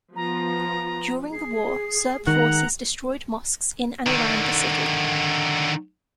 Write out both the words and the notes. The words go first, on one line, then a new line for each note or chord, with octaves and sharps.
During the war Serb forces destroyed mosques in and around the city.
F3 B3 F4 A#5
G#4 C7
D#3 G#3 F#5 A#5
D3 D#3